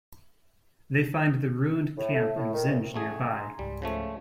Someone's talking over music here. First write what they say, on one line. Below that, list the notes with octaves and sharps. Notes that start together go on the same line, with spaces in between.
They find the ruined camp and Zinj nearby.
A2
A3
A2
D#3
D2
A1 A3 G#4
G#5 A#5 C6
C#2 G#2 G3
C#3 F3 A3